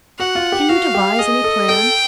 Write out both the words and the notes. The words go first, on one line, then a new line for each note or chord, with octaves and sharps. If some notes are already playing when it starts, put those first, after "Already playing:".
Can you devise any plan?
F#4 F#5
F4
G4
F#4 F5
G4
G#4 D#5
A4
A4 G5